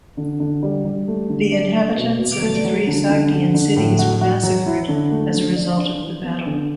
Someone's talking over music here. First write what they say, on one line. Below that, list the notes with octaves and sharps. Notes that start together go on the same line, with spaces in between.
The inhabitants of three Sogdian cities were massacred as a result of the battle.
D3
D3
G3
G3
A3
D3
D4
A3
B2
B2
A3
F#3
D3
D3
D3
D3
A2
F#4
F#4
F#3
E4
D3
A3
D3
D4
D4
E3
B3
D3